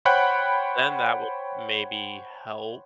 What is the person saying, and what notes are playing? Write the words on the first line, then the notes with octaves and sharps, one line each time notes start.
then that would maybe help
C5 C#5 F#5 G5 B5 F#6